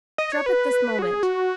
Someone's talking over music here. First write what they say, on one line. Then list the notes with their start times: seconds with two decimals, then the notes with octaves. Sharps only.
Drop it this moment!
0.18 D#5
0.32 C#5
0.46 B4
0.99 F#4
1.02 G#4
1.23 F#4